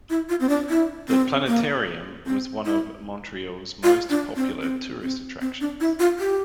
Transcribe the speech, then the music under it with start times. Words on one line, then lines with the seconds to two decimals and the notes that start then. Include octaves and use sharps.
The Planetarium was one of Montreal's most popular tourist attractions.
0.10 E4
0.29 F4
0.40 C4
0.49 D4
0.69 E4
1.09 C4
1.47 A#3
2.27 C4
2.66 E4
3.83 F4
4.10 D4
4.36 C4
4.62 C4
5.02 C4
5.41 C4
5.61 D4
5.80 E4
5.99 F4
6.19 G4